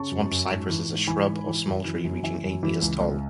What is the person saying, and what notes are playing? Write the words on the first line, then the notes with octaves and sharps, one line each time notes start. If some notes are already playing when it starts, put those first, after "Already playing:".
Swamp cypress is a shrub or small tree, reaching eight metres tall.
Already playing: C#3 A5 C#6
F#2
F#2
G#2
E3
G#2
E3 G#5 B5
G#2
E3
F#2
E3
F#2
E3 E5 G#5
F#2
E3
C#2
C#2